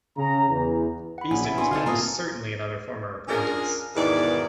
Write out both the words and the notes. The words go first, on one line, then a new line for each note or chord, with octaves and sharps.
Beeston was almost certainly another former apprentice.
C#3 A#5
E2
F#5 B5
A#1 C#4 G#5
E4
C4 D4 F#4 G#5 C6
D3 D4 D#4 A4 F5
A#3 C4 F4 A#5 D#6
C#4 D4 F4 G#4 A#4
E2 G#2 B2 D#3 E3 D5